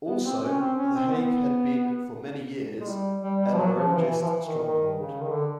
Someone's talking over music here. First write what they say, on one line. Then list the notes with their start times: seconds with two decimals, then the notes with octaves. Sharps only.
Also, The Hague had been for many years an Orangist stronghold.
0.08 B3
0.25 C4
0.44 C#4
0.60 C4
0.78 C#4
0.95 C4
1.08 C4
1.12 B3
2.81 G#3
2.87 G3
3.23 G3
3.41 G3
3.53 F3
3.59 F#3
3.76 F3
3.93 E3
4.11 E3
4.22 F3
4.28 E3
4.46 D#3
4.63 D#3
4.97 C#3
5.21 D#3
5.33 D3